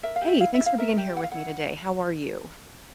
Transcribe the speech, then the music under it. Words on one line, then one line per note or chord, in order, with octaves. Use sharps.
Hey. Thanks for being here with me today. How are you?
A#4 E5
F5
G4
E5
E4 F5
E5
E4
F5
A#4 E5
G4
E4 F#5
F5
E4 F#5